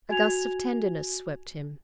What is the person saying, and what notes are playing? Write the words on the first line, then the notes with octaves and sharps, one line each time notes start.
A gust of tenderness swept him.
F#4 G#5 G#6 F7